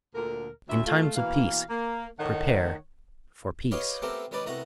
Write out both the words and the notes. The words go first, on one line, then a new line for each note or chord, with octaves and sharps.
In times of peace prepare for peace.
D2 A#2 D3 A#4
D2 E5
A3 F4
B2 E3 A#3 F5
A#3
A2 D#3 A3 D#4 C#5 F#5
G4 B4 C#5 D#5 F5
A3 B3 C4 G4 A4 A#4
D#3 G3 C#4 D#4 B4 D5
C2 A3 B3 F#4 A#5